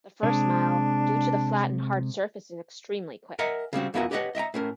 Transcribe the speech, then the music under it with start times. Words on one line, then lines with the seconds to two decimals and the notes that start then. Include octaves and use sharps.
The first mile, due to the flat and hard surface is extremely quick.
0.23 C3 G#3 D4
3.39 A#4 D#5 E5 F#5 G#5 A#5
3.73 C#3 G3 C4 F#4
3.94 F2 B3 E4 F#4 A#4 G#5
4.11 G4 B4 C#5 D#5 E5 F#5
4.35 D#5 E5 G5 A#5
4.54 A2 C#4 A#4